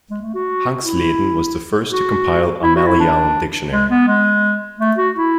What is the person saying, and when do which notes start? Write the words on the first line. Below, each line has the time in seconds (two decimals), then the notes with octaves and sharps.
Hanxleden was the first to compile a Malayalam Dictionary.
0.10 G#3
0.22 A3
0.35 F#4
0.83 E4
1.92 F#4
2.63 E4
2.76 F#4
2.87 E4
3.00 D4
3.72 G#3
3.90 B3
4.07 G#3
4.80 A3
4.98 F#4
5.16 E4